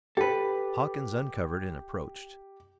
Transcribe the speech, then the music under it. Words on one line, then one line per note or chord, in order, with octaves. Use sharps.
Hawkins uncovered and approached.
G4 A4 B4